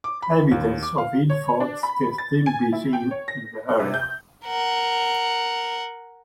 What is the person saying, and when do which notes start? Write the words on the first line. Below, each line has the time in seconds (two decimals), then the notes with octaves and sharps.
Evidence of hill forts can still be seen in the area.
0.04 D6
0.22 B5
0.52 D#2
0.83 D6
0.98 F5
1.30 C#5
1.60 D4
1.83 B5
2.18 A6
2.46 G#5
2.72 E4
2.93 G5
3.11 C#5
3.28 A#6
3.79 C3
3.94 G6
4.46 A#4 F#5